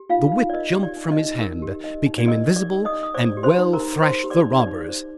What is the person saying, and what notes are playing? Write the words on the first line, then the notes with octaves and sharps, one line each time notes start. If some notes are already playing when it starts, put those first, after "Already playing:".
The whip jumped from his hand, became invisible, and well thrashed the robbers.
Already playing: G4
D#4 F4 F5
D#4
D5
A#4 D#5
G4
D5
D#4
D#5
D#4
A#4
G4
D#4 D#5
D#4
D5
A#4 D#5
G4
D5 D6
D#4
D#5 D#6
D#4
D#6
C5 D5 D6
G4
C5 C6
D#4
A#4 A#5
D#4
C5 C6
G4
D5 D6
D#4
D5 D6
D#4
C5